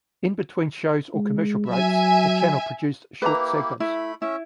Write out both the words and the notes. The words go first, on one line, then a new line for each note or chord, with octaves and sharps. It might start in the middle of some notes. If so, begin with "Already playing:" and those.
In between shows or commercial breaks, the channel produced short segments.
G#3
F#3 E5 G#5
A#3 E4 G4 B4 A#5
A3 E4 B5
C#4 E4 E5